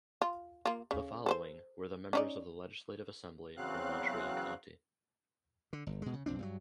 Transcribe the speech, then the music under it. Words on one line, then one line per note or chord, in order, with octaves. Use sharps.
The following were the members of the Legislative Assembly from Montreal County.
F4
A#3 F4
C#3
A4 B4 C5
C#4 D#4 D5
E2 C#3 F#3 C4 F5 F#6
D3
G1
B2 G#3
C#3
B1 F2 C4 D4
G2 F3 F#3